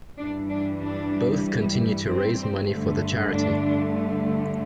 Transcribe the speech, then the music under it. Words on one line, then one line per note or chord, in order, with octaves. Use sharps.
Both continue to raise money for the charity.
G2 E3 G3 D4
D4
D4
C4
G2 D3 A3
D4